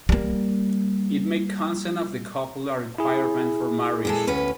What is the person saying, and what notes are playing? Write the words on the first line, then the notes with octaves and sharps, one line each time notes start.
It made consent of the couple a requirement for marriage.
G3 A#3
E4 G#4
A#2 G#3 A4
D2 C#4 B4